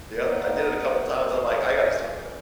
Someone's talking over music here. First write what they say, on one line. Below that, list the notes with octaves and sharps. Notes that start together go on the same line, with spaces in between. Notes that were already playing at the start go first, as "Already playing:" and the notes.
Yep. I did it a couple times. I'm like, "I gotta stop with it."
A#3
B3
D#4
D#4
A#4
G#4
A#4